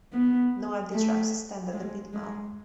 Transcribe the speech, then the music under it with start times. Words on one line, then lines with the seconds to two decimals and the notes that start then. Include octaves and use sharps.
No empty trucks stand at the pit-mouth.
0.13 B3
0.93 A3
1.73 G#3
2.14 G#3